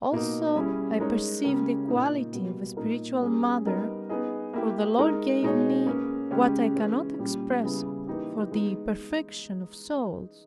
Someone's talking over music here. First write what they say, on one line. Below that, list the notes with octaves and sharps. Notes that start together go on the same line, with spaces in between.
Also I perceived the quality of a spiritual mother; for the Lord gave me what I cannot express for the perfection of souls.
B2 A#3 D#4
G3 C#4 E4 G#4
G#3 D#4 A#4 C#5
C#3 G#3 C#4 G4 A#4
A#2 A#3 D#4
B2 G3 A#3
A#2 A#3 D#4 A#4
G3 C#4 G#4
G3 B3 D#4 A#4 D#5
B3 D#4 G#4 D#5
A#3 E4 G4
G#3 D#4 A#4
B2 G#3 D#4 G#4 C#5
A#3 C#4 G#4 B4
C#3 G#3 C#4 G4
E3 G#3 C#4
A#2 G3 C#4 G4
C#3 G3 B3 E4 G#4
E3 A#3 D#4 G4
G#3 B3 D#4